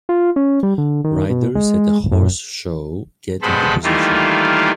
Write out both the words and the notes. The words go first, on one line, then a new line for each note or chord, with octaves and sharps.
Riders at a horse show get into position.
F4
C#4
G3
D3
D#3
B2
G#3
F#2
G2 B2 G#3 A4 C5 B5
D#3 E3 G3 A3 A#3 F4